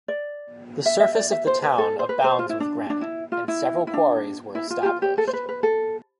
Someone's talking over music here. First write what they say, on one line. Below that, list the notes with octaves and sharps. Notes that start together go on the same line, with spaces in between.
The surface of the town abounds with granite, and several quarries were established.
D5
E5
E5
D5
E5
C5
B4
A4
C5
B4
C5
F4
E4
D4
D4
E4
F4
E4
E4
D4
E4
F4
G4
F4
G4
A4
C5
B4
B4
A4